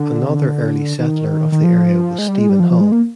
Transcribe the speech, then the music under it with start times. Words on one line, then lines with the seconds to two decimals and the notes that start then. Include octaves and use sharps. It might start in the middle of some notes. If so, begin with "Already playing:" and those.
Another early settler of the area was Stephen Hull.
Already playing: D3
0.28 C3
0.35 D3
1.00 D#3
1.52 D#3
1.64 F3
2.19 G#3
2.28 G3
2.38 G#3
2.49 G3
2.60 F3
2.71 F3
2.81 G#3
2.92 A#3